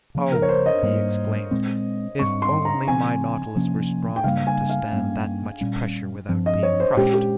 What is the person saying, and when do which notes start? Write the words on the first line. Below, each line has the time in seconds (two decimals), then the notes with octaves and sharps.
"Oh," he exclaimed, "if only my Nautilus were strong enough to stand that much pressure without being crushed!"
0.15 C#3 F3 A#3
0.32 A#4
0.42 C#5
0.49 C5
0.66 D#5
0.83 G#2 G3 A#3
1.51 A#2 G#3 C4
2.19 G#2 G3 C4 C#6
2.42 C6
2.65 A#5
2.88 C#3 F3 C4 G#5
3.56 C3 F3 A#3 C#4
4.16 G5
4.24 C#3 G3 A#3 F5
4.47 G#5
4.70 F5
4.92 G2 G3 A#3 C#4
5.61 A#2 G3 C#4
6.29 G2 F3 C4
6.46 D#5
6.63 C#5
6.80 C5
6.97 A#2 G#3 C#4 G4
7.14 G4